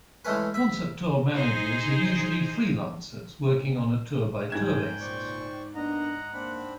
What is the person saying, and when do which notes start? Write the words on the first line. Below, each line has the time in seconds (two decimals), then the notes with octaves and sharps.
Concert tour managers are usually freelancers working on a tour-by-tour basis.
0.25 E3 G#3 A3 C#4 B4
0.54 E5 B5
1.33 D#4 G#4 C5
4.50 G#2 G4 G#4 G5 G#6 E7
5.00 C#2 A#2 C5 D5 C#6
5.75 A#3 B3 D4 D#5 F#5 A#5
6.33 A#3 C4 D4 B5